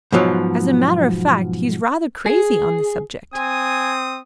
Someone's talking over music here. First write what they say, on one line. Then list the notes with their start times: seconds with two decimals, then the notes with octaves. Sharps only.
As a matter of fact he's rather crazy on the subject.
0.13 G#2 B2 F3 F#3
2.26 G#4
3.34 C4 G#5 D#6